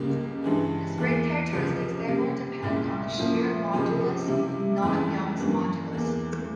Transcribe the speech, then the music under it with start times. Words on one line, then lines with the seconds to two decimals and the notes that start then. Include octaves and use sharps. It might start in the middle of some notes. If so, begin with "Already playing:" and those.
The spring characteristics therefore depend on the shear modulus, not Young's Modulus.
Already playing: C#2 C#3 G3 A#3
0.43 G2 E3 G#3 C#4
0.98 E2 E3 A#3
1.53 C#2 C3 F3
2.08 C3 G3 A#3 C#4
2.63 C2 A#2 G#3 C#4 E4
3.18 A#2 F3 A#3 C#4 E4
3.72 C#2 C3 F3 G#3 C#4
4.28 C3 G3 C#4 E4
4.82 F2 E3 G#3 C#4
5.38 G2 E3 G3 A#3 C#4
5.93 E2 E3 A#3